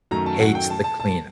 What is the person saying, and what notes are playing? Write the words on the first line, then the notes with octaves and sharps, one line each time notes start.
hates the cleanup.
F#2 D#3 F#3 A3 A#5
A5
F#5
G5
A5
A5
A5